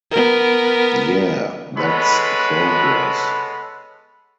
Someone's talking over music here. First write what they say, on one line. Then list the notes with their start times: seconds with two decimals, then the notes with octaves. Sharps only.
Yeah, that's progress.'.
0.11 B3 A#4
1.77 G#3 B3 A4 B4 C#5 B5